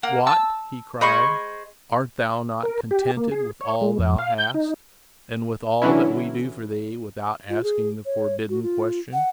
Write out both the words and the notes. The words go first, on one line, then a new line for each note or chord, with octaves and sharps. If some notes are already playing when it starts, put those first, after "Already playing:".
"What," he cried, "art thou not contented with all thou hast and with all that we do for thee without asking the forbidden question?"
A#3 F#5
A5 E6
G#4 C5 D#5 B5 C#6
A#4
G4
A#3
G#4
C#5
G#3
F2
F5
G6
D#4
D3 E3 F#3 C#4 E4
F4
G#4
C#5
F#4
F4
F#5